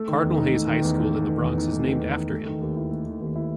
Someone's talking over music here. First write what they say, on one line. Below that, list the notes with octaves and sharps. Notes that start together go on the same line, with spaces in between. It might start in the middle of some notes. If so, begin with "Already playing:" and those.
Cardinal Hayes High School in The Bronx is named after him.
Already playing: A3
D#3
E2
D#4
A3
D#3
E2
D#4
A3
D#3
E2
D#4
A3
D#3
E2
D#4
A3
D#3
D#2
E4
A3
D#3
D#2
E4